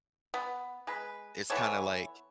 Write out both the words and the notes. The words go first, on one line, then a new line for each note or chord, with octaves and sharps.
it's kinda, like
B3
G#3 B4
E3 B3 A4 C#5